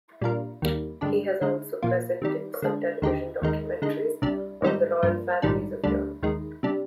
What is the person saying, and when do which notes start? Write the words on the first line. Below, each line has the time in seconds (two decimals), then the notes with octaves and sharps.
He has also presented some television documentaries on the royal families of Europe.
0.21 A#2 G3 D4 F4 A#4
0.62 D#2 D#3 G3 A#3
1.01 G2 D3 G#3 D4 G4
1.41 D3 G#3 D#4
1.82 A#2 F3 A#3 F4
2.22 C3 D#3 G3
2.62 D3 G#3 D4
3.02 D#2 D3 G#3 D#4 G4
3.42 D#2 D#3 G#3 D#4 A#4
3.82 D3 G#3 D#4
4.22 C2 C3 G3 D4
4.62 G#2 D#3 G3 C4 D#4
5.03 G2 F3 A#3
5.42 A#1 G#2 D#3 G3 D4
5.84 D2 D3 G3 D4
6.23 D#2 D#3 G#3
6.63 C3 G3 D4